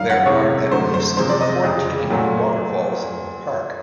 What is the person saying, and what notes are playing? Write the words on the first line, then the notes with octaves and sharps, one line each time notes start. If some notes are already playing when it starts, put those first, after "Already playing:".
There are at least fourteen waterfalls in the park.
Already playing: F#2 D#3 G3 F5
F#5
E2 C3 E3 G#3 C#5
F#2 D3 F#3 A3 C5
C5
C3 F3 G#3 C5
D5
D#5
F2 C#3 F3 G#3
A#2 F#3 A3